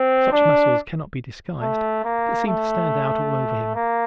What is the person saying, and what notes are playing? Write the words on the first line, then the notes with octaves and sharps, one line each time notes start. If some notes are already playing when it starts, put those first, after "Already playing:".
Such muscles can not be disguised but seem to stand out all over him.
Already playing: C4
D4
A3
A#3
A3
A#3